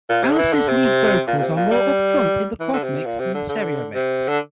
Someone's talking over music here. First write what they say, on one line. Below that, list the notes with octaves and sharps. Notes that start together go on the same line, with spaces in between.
Alice's lead vocals are more upfront in the quad mix than the stereo mix.
A#2
C3
D3
E3
D3
C3
A#2
A#2
C3
A#2
G3
E3
D3
C3
A#2
C3
D3
D3
C3
D3